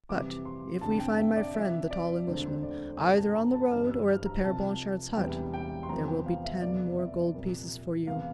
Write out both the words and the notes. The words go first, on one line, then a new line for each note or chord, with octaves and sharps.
But if we find my friend the tall Englishman, either on the road or at the Pere Blanchard's hut, there will be ten more gold pieces for you.
F2 C3 E3 G3 C4 D6
C6
F1 F2 D3 A5
G5
E5
D5
F2 C3 F3 E5
D5
E1 D2 D3 A3 C4 C5
C5
D5
G1 F2 C3 F3 A3 G5
A5
A#5
A5
G1 G2 E3 G3 C4 F6
E6
F6
A#5
C2 C3 F3 A5
E1 E2 C3 E3 G3 G5
G5
C6
E2 C3 F3 A#3 A#5
G5
F5
E5
F1 E2 C3 D5
E5
C2 A#2 F3 A#3
E1 E2 C3 F5